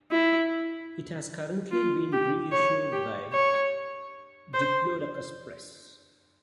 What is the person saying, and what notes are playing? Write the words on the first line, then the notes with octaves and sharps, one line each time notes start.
It has currently been reissued by Diplodocus Press.
E4
F4
G4
C#5
G4
C#5
C5